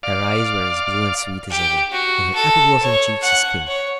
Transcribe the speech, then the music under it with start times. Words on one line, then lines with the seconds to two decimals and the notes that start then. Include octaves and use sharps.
Her eyes were as blue and sweet as ever, and her apple-blossom cheeks as pink.
0.03 D5 F5
1.50 G4
1.92 F#4
2.35 A4
2.82 C#5
3.21 F#5
3.67 C#5